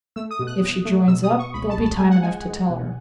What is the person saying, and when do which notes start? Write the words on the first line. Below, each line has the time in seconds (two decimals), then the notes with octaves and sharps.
If she joins up, there'll be time enough to tell her.
0.16 A3 E6
0.31 D#6
0.39 B2
0.47 F#6
0.62 E2
0.85 A3
1.08 B2 E6
1.24 D#6
1.31 B2
1.39 C#6
1.54 C#2 B5
1.70 A5
1.77 C#2
1.85 A5
1.98 G#3 G#5
2.11 F#5
2.23 G#3 G#5
2.47 G#3
2.70 B2